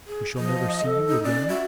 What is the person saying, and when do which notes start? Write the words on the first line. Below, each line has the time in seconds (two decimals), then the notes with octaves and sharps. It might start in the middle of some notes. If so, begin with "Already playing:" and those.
"We shall never see you again?"
0.07 G#4
0.38 F3 D#5
0.84 A4
1.08 D#4
1.24 C#4 D5
1.49 F#4 E5